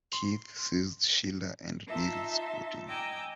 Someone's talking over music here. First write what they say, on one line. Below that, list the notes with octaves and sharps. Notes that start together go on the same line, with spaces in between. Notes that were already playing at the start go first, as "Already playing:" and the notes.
Keith seized Sheila and Neil’s protein.
C6
D#4 F4 E5 A5 C6
D#5 G5 G#5 A#5 D6 E6